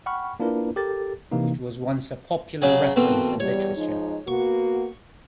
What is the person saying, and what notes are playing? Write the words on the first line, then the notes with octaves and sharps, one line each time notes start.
It was once a popular reference in literature.
F#5 G5 B5 C#6 F6
A#3 D4 E4 F4 A#4 B4
G4 A4 A#4 A6
C3 E3 A#3 D#4
C#3 F#3 G#4
B2 E3 A#3 C4 A4
E2 B2 G3 C#5
F3 G#3 D#4
A#3 B3 F#4 C#6